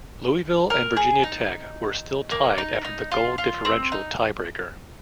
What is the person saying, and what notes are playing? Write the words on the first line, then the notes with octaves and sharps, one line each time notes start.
Louisville and Virginia Tech were still tied after the goal differential tiebreaker.
A#4
G#4
D#4
A#3
D#4
D#4
F4
F4
C4
D#4